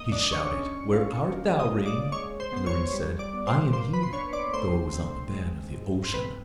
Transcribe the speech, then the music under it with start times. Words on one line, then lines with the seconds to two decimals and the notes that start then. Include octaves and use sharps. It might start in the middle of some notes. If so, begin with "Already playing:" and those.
He shouted, 'Where art thou, ring?' And the ring said, 'I am here,' though it was on the bed of the ocean.
Already playing: A#3 D#5 D#6
0.12 D4 D5 D6
0.32 C#5 C#6
0.53 C#4
0.93 F4
1.32 A#3
1.59 D#5 D#6
1.73 C#4
1.86 D5 D6
2.12 G#3 C#5 C#6
2.40 C5 C6
2.52 B3 C6
2.66 C#5 C#6
2.93 G3
3.19 D5 D6
3.34 B3
3.47 C5 C6
3.73 A#3 C5 C6
3.93 B4 B5
4.03 C6
4.13 D4 C#5 C#6
4.33 D5 D6
4.54 A3 C5 C6
4.93 C4
5.34 G#3
5.74 G#2
6.04 C6
6.14 C4 B4 B5